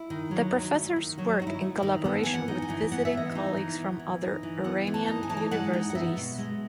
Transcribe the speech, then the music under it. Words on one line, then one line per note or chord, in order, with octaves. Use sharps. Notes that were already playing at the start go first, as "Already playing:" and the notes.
The professors work in collaboration with visiting colleagues from other Iranian universities.
Already playing: E4
D#3
F#3
D#4
A3
D#3
F#3 F#4
D#4 F#4
E4
A3
E4
D#3
B3 A4
E3 G#5
F#5
D#4
G#5
E3
B3 F#5
E5
E3 D#5
D#4 E5
E3
B3
E3
D#4
E3
B3 F#5
E3
A5
D#4
G#5
E3 A5
G#5
G#3 F#5
D#4
F#5
B3 E5
B2
G#3